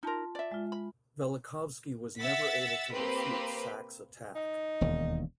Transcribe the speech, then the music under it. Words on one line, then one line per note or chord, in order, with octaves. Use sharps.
Velikovsky was never able to refute Sachs' attack.
D#4 F4 A#4 A5 C6
D5 E5
G#3 F4
B5
E5 F#5 E6 A6 B6
A#3 C4 G4 B4
D#4
E1 D#2